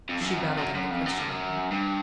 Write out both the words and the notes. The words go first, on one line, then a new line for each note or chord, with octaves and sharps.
She babbled out a question at him.
F2
F2
F#2
F2
F#2
F#2
F2
F#2
G2
F#2
G2